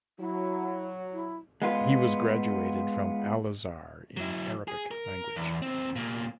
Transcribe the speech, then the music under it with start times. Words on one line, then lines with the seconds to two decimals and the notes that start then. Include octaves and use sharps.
He was Graduated from Al Azhar in Arabic language.
0.19 F#3 E4
1.13 E4
1.62 G#3 B3 F4
4.17 F#3 E4
4.68 G#4
4.91 A#4
5.36 E2
5.62 D#2 C4
5.96 C2 A#2